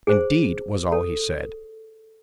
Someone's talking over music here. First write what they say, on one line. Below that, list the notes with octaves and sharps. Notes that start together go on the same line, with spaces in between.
"Indeed!" was all he said.
G#4 C5
A4